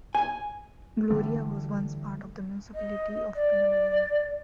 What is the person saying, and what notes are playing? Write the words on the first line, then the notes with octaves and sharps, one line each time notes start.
Gloria was once part of the municipality of Pinamalayan.
G#5
D3 E3 G3 A3
D#5
D5